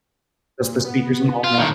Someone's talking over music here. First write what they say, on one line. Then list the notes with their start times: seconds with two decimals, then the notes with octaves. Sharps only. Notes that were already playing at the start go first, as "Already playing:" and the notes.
just the speakers and all that.
0.60 A#2
0.85 B3
1.44 F4
1.58 A2 D#3